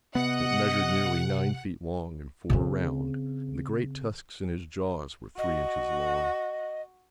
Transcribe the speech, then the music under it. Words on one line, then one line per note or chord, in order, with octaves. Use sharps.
It measured nearly nine feet long, and four round, and the great tusks in his jaws were three inches long.
C3 B3 D#5 F#5
C#3 C4
F#4 D#5